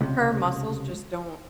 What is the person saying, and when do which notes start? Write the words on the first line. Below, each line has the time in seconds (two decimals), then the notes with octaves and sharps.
Her muscles just don't
0.01 C#2 C3